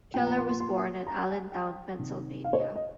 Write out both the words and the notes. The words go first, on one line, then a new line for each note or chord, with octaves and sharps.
Keller was born in Allentown, Pennsylvania.
A#2 F3 G5
A#5
C6
C6
C6
A#5
G#5
G5
C3 D#3
F5
C#5
D#5
D#5